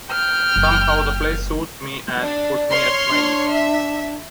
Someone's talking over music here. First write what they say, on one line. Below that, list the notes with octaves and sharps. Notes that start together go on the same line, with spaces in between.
Somehow the place soothed me and put me at my ease.
G5 F6
F#1
D4 D5
C#5 C6 F6
D4
E5